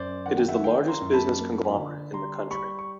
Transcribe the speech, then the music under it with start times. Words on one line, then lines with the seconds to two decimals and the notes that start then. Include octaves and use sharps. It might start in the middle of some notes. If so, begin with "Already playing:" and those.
It is the largest business conglomerate in the country.
Already playing: F#2 C5 D5
0.26 D#3 F#5
0.37 G5
0.48 E5 F#5
0.63 D#3 F5 G5
0.88 A#5 C6
1.01 F#2
1.13 A5 B5
1.38 A#3
1.76 D3
2.13 G3 A#5 C6
2.50 G3 B5 C#6
2.79 C#6